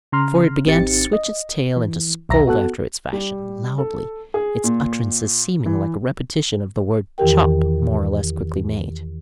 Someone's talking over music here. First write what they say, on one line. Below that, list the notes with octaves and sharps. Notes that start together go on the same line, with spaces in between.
For it began to switch its tail and scold after its fashion, loudly, its utterances seeming like a repetition of the word "chop" more or less quickly made.
C#3 A#5 C6 F6
G#1 C4 D#4 G4 A6 C#7
D#5
E3
B1 E2 E5 A#5 A#6
B3 F#4 A4 F#6
G3
A4
G#4
A#2
E3
E2 D#3 E3 G4 A#4 G5